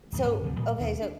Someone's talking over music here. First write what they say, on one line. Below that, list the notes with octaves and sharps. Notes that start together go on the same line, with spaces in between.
So, okay, so,
D1 F#2 E3
G2 B3 C#4
D2 C3 F3 F#3
A2 F3 G3 A3
D#2 B2 D4
D4